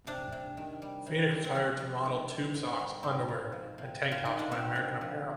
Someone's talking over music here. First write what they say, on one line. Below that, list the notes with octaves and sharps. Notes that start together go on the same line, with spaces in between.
Phoenix was hired to model tube socks, underwear, and tank tops by American Apparel.
C3 D4
C3
D#3
G3
C3
G3
C4
F2 D4
F2
D#3
G3
G#2
G3
G#2 C4
G#2
F3
C3
C3
F4
D#3 D#4
D4
C3 C4
C3
F3